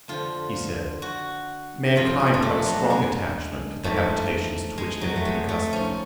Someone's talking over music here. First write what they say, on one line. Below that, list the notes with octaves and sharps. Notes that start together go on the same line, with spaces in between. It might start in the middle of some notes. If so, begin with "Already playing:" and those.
He said, 'Mankind have a strong attachment to the habitations to which they have been accustomed.
F2 D3 F3 F4
F#4
F2 C#3 F3 F4
D4
C#4
D4
A3
F#3
G#3
G#2 F3 A3
G#3
F#3
A3
G#3
A3
G#2 F3 C#4